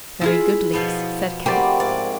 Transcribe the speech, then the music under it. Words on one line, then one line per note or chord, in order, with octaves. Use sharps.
"Very good leaves," said Kadok.
E4 F4 G#4
B2 F3 B3
A#3 C4 E4 F#4 G4 D5
G#2 D5